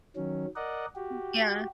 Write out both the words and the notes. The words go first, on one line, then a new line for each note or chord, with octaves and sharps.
Hmm, yeah.
D#3 F#3 C#4
A#4 D5 D#5 F#5
F#4 G4